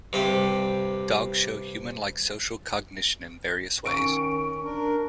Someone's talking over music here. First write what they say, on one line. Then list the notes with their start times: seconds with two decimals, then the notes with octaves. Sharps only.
Dogs show human-like social cognition in various ways.
0.13 G2 C3 G4
3.86 D#3 C#4 C#6 D7
4.63 D4 A#4